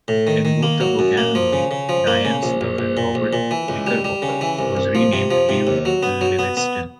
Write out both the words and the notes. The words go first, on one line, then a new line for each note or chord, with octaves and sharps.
In both the book and movie Diane's lover, Robert Knickerbocker, was renamed Lew Lewiston.
A2
D#3
D#3
A#3
F#3
F#2
A#3
F3
C#3
C#3
F3
A#3
C#3
A#1
A#1
A#1
A#2
A#1
A#2
E3
C#2
G3
G3
C#3
E3
C2
C2
F3
C3
F3
C3
D#2
F#3
B3
F#3
B3
B3